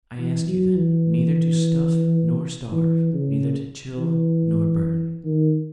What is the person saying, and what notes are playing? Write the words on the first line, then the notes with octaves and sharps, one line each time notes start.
I ask you, then, neither to stuff nor starve; neither to chill nor burn.
E3
F#3
E3
E3
C#3
E3
D#3